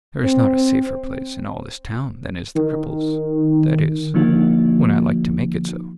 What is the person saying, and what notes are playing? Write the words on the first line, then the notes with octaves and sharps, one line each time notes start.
There is not a safer place in all this town than is the Cripples; that is, when I like to make it so.
C4
D#3
D3 F3 A#3 D#4 F#4